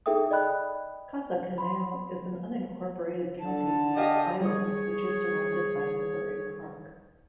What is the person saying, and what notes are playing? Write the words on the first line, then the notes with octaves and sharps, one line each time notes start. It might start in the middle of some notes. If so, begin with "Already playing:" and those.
Casa Conejo is an unincorporated county island which is surrounded by Newbury Park.
D#4 G#4 A4 E5 G5 D#6
D5 D#5 G5 B5 F#6
B5 C6
D3 A5
G4 D#5 F5 G#5
G3 G#4 C#5 D#6